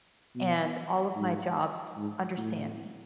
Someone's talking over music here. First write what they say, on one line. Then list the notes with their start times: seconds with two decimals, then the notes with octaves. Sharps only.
and all of my jobs understand me,
0.35 B2
1.16 G#2
1.97 G#2
2.37 A2